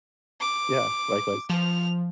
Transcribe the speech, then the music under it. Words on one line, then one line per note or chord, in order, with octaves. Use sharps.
Yeah, likewise.
D6
F3 F7